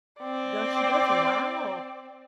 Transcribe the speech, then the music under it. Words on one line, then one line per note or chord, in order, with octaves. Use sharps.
Does she doesn't? Wow.
C4 D5